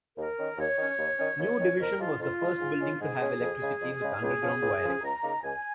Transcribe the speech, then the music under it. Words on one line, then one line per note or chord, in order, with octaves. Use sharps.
New Division was the first building to have electricity, with underground wiring.
D#2 A#4
D#3 C#4
D#2 C#5
D#3 C#4
D#2
D#3 C#4
D#2 C#5
D#3 C#4
F2 A#4
F3 G#3 F4
F2 F4
F3 G#3
G#2
G#3 C#4
G#2 G#4
G#3 C#4
F2
C#3 G#3
F2
C#3 G#3
C#2 G#4
C#3 F3 C#4
C#2
C#3 F3 C#4
C#2 A#5
C#3 A#3 D#4
C#2 G#5